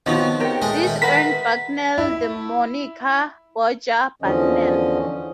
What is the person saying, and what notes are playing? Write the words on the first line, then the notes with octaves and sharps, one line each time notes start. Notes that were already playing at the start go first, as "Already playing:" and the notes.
This earned Bucknell the moniker 'Bodger' Bucknell.
D#3 F3 B3 C4 D#4 F#4 C#5 D#5
G4 A#4 C#5 G5
G#3 A3 D#5
D#3 E4
A#4 B4 F#5 A#5 B6
E4
E2 D3 F3 C#4 D#5